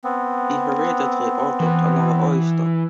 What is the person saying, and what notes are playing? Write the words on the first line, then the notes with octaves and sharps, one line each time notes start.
He hurriedly ordered another oyster.
B3 C4
E3